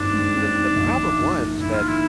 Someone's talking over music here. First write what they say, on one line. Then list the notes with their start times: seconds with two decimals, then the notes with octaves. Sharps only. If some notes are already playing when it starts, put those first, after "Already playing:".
the the problem was that
Already playing: G2 D#3 C4 D4
0.13 G#3
0.35 C4
0.55 D#3
0.76 A#1
0.97 D#3
1.18 A#1
1.38 G#2
1.59 A#1 E4
1.73 F4
1.81 D#3
1.88 E4